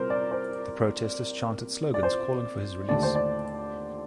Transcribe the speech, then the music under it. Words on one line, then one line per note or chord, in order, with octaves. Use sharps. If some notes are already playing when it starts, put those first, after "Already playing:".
The protesters chanted slogans calling for his release.
Already playing: C3 G3 A#4 C5
D5
C5
D5
C5
D#2 D3 A3 D5
C5
D5